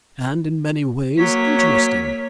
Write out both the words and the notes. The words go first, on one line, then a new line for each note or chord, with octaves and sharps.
And in many ways interesting.
F#3 A#3 C#5 B6